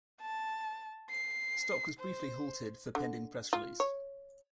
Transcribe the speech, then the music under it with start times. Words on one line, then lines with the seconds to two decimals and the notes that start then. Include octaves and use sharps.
Stock was briefly halted for pending press release.
0.21 A5
1.10 C7
1.99 C5
2.95 D3
3.53 F4
3.80 C#5